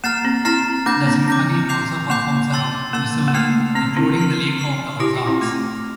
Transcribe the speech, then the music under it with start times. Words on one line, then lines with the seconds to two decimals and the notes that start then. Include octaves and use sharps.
The Symphony also performs around Missouri including the Lake of the Ozarks.
0.04 A#3 A#5 F6 A6 C7 E7
0.25 C4
0.45 C4 E4 A#5 F6 A6 C7 E7
0.86 A#3 D4 D6 G6 A#6
1.07 C4
1.28 C4 D6 G6 A#6
1.69 D6 G6 C7 F7
2.10 A#3 D6 G6 C7 F7
2.52 A5 C6 E6 A6
2.93 A#3 A5 C6 E6 A6
3.28 A#3
3.34 A3 F6 C7 F7
3.75 C4 F6 C7 F7
3.97 C4 E4
4.16 C6 F6 C7
4.58 C6 F6 C7
4.99 E4 G4 D6 F6 A#6 F7
5.16 F4
5.27 C4 E4
5.41 A3 D6 F6 A#6 F7